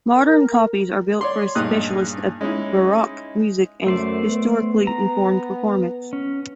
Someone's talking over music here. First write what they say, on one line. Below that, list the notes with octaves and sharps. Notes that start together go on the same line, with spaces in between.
Modern copies are built for specialists of baroque music and historically informed performance.
A#4
C#5 D5 C6
G2 A#2 D#4 G#4 D#6 F#6
G#3 C#4 D#4 E4
F#2 A3 C5 D5
B3
A#5
C#4